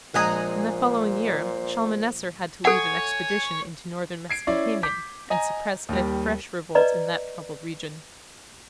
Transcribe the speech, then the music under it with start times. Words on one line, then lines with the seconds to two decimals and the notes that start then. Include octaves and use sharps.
In the following year Shalmaneser had to lead an expedition into northern Mesopotamia and suppress a fresh revolt in that troubled region.
0.14 A#1 A#2 G#3 C5 F#5 G#5 A#5 D#6
2.65 A4 C#5 F#5 G#5
4.30 G#6 C7 D7
4.47 C#4 E4 D5
4.83 D6 G6 B6
5.30 D#5 G#5 A#5
5.89 D#2 G3
6.75 B4 D5 D#5 A#5